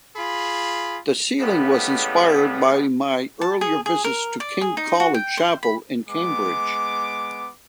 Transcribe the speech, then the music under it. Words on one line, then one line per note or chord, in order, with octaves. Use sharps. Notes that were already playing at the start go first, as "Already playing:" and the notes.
The ceiling was inspired by my earlier visits to kings College Chapel in Cambridge.
F4 G#4 B5
A2 C#3 G3 G#3 B3
A5
G#4
G#4
A#4
D5
G#4
D#4
F#4
G5
C5
B5
G#3 B3 D6